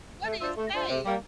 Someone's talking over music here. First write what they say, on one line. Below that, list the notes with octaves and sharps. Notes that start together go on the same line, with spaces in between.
what do you say?
A3
D4 F4 C5 E5
A3
D4 F4 C5 E5
C3
G3 A#3